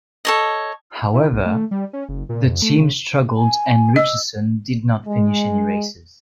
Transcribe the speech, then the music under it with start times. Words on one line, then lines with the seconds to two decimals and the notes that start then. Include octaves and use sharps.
However, the team struggled, and Richeson did not finish any races.
0.25 A4 C#5 D#5
1.13 E4
1.33 B1
1.46 A3
1.71 G3
1.93 C#4
2.09 F#1
2.29 A#2
2.46 F2
2.62 A3
2.80 C#3
3.37 G#5
3.96 D#5 E6
5.07 G#3